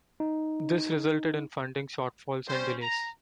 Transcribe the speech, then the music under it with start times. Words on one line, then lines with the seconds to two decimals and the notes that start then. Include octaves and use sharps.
This resulted in funding shortfalls and delays.
0.20 D#4
2.48 G3 C#4 C5
2.80 A#5